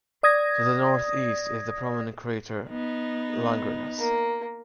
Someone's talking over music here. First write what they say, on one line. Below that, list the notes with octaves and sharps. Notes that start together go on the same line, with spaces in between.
To the northeast is the prominent crater Langrenus.
D5 D#6 G#6 A#6
B3 D#4
A#3